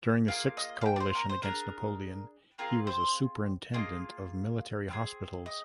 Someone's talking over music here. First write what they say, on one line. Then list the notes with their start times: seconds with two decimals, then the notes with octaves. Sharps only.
During the Sixth Coalition against Napoleon, he was a superintendent of military hospitals.
0.28 A#3 F4 G#4 F5
0.57 D#5
0.81 F5
0.86 G5
0.96 D5
1.00 C5
1.15 A#4
1.29 C5
1.43 D4 G#4 A#4
2.58 C4 F4 G#4 A#4
2.87 C5
3.74 A#3 F4 G#4 D#5
4.89 C4 F4 G#4
5.46 D#5